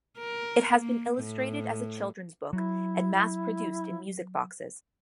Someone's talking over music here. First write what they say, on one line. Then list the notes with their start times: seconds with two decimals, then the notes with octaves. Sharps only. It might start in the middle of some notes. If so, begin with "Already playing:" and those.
It has been illustrated as a children's book and mass-produced in music boxes.
0.18 A#4
0.77 A#3
1.19 A2
2.53 F#3 E4